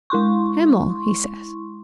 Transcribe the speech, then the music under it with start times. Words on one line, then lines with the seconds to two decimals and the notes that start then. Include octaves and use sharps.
"Himmel!" he says.
0.10 G#3 E4 C6 C#6